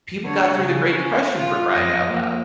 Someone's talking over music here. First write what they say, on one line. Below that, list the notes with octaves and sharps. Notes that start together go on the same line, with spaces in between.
people got through the great depression for crying out loud.
D3 C#5
C#3
C#4
F4
F2 D#5
F3 A#3